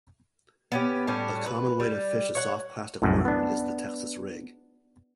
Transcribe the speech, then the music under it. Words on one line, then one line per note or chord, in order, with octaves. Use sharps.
A common way to fish a soft plastic worm is the Texas Rig.
B3 C#4 G4
A2 G3 C#4 D4
B4
G3
C#5 F#5
C2 F#2 A2
B3 D4